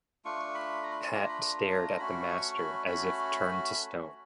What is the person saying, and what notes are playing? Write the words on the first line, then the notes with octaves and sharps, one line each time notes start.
Pat stared at the master as if turned to stone.
A3 D4 F4 C#6
B5
A#5
B5
A#5
A3 D4 F4 A#5
B5
A#5
A#5
A3 C#4 F#4 B5
C#6
B5
A3 C#4 F#4 B5